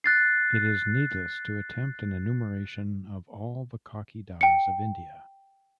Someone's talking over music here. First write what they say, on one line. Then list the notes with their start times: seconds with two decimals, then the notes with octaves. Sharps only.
It is needless to attempt an enumeration of all the khaki dyes of India.
0.04 F#6 A6 C7
4.41 G5 C#7